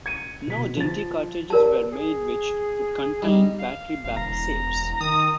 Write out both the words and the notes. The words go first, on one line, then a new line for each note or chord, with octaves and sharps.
No Dendy cartridges were made which would contain battery-backed saves.
G#6 C#7 D#7
B2 B6
F3 A6
G4 A#4 B4 D5 A5
G#4
G3 D#4
F5
G1 F5
E1 A#5
D#3 D#6